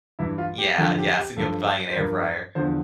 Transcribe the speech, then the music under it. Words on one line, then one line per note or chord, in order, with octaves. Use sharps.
Yeah, yes, and you'll be buying an air fryer.
G2 E3 E4
F4
G4
F2 D3 F3 A4
G4
G4
G2 F3 A4
C5
G2 F3 A#4
E2 D3 F3 C5